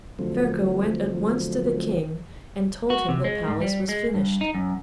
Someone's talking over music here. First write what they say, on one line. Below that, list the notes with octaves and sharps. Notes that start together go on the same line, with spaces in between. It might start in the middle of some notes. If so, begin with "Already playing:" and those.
Ferko went at once to the King and told him the palace was finished.
D3 F3 F#3 A3 C4
F#4
C3
G#3
G#2
G3
G#3
G2
D#4
F#2